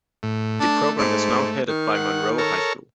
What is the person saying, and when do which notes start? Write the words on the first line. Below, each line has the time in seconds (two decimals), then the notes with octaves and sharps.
The program is now headed by Monroe High School.
0.23 A2
0.60 A3 D4
0.99 G#2
1.68 D#3
1.95 F#5
2.38 A4 A#4 C#5